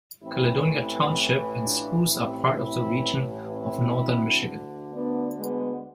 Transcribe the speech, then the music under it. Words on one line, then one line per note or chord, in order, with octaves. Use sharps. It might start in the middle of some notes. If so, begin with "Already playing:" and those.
Caledonia Township and Spruce are part of the region of Northern Michigan.
A1 A2 E3 C4 E4
C4 E4
D4 F4
A1 A2 E3 C4 E4
C4 E4
C4 E4
D2 D3
B3 D4
G#3 B3